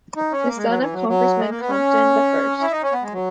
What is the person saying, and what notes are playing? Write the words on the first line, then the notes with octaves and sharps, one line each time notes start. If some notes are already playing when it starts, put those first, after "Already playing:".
The son of Congressman Compton the First.
D#4
C#4
A#3
G#3
F#3
E3
F#3
F#3
G#3
A#3
B3
C#4
E4
D#4
C#4
B3
G#3
F#3